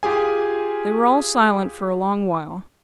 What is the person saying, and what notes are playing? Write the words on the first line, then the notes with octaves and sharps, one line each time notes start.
They were all silent for a long while.
F4 G4 G#4 G#5